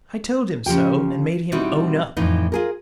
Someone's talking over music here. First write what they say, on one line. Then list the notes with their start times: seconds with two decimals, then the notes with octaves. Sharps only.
I told him so, and made him own up.
0.66 C#3 F3 G4 G5
1.52 B2 G3 C4 D#4 E4 F#4
2.17 F2 A2 E3 D#4
2.52 F4 G#4 A#4